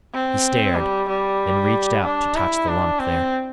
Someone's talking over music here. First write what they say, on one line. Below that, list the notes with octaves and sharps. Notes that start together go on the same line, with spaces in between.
He stared, then reached out to touch the lump there.
C4
G3
G3
D4
E4
D4
C4